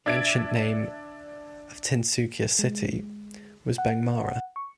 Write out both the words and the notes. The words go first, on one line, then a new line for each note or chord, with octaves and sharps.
The ancient name of Tinsukia city was Bengmara.
D4 E5 G#6 A6 D7
G#3
F#5
C#6